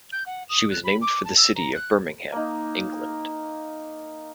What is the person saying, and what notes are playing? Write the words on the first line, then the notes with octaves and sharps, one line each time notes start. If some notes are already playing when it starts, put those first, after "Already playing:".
She was named for the city of Birmingham, England.
G6
F#5
D#6
F#6
B5
D6
A5
E6
A#5
F#6
A#3 D#4